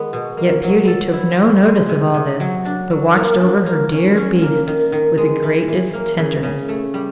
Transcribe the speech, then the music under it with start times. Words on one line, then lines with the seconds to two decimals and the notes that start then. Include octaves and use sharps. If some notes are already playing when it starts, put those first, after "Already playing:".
Yet Beauty took no notice of all this, but watched over her dear beast with the greatest tenderness.
Already playing: D#3 G#3 B3
0.13 B2
0.37 A#3
0.63 F#3
0.88 A4
1.13 E4
1.39 E4
1.63 G#3
1.89 C3
2.14 C3
2.40 F#3
2.65 D4
2.90 F#3
3.16 A#3
3.41 D4
3.66 A#3
3.91 C#4
4.17 C#4
4.42 A#3
4.67 D#3
4.92 D#3
5.17 G#3
5.43 E3
5.68 E3
5.93 A#3
6.19 C#3
6.43 C#3
6.69 A3
6.94 G3